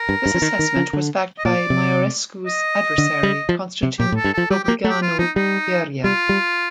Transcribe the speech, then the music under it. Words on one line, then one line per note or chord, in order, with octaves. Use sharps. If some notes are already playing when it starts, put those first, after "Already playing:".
This assessment was backed by Maiorescu's adversary, Constantin Dobrogeanu-Gherea.
Already playing: A#4
G2
G2
F3
D#3
D#3
F3
D3
D#5
A#2 D5
C3
D#5
D3
G3
F3
C3
A#2 G4
A2
A4
G2
F3 A4
G3 G4
G4
A#3
A3
G4
F4
F3 D#4
G3 D#4
G3 F4
G3